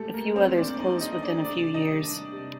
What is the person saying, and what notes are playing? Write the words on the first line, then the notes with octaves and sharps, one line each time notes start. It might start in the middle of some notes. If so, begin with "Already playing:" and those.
A few others closed within a few years.
Already playing: A#2 G3 A3 G4 A4
G3 A#3 A#4
C4 C5
A#2 D4 D5
D5
D#4 D#5
G3 D#4 D#5
D#5
D4 D5
C3 D4 D5
D#4 D#5
D#3 G3
D4 D5
C3